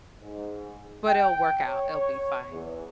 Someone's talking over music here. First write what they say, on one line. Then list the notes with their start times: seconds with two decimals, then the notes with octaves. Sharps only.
but it'll work out, it'll be fine.
0.22 G#2
1.07 G5
1.66 C#5
2.51 E2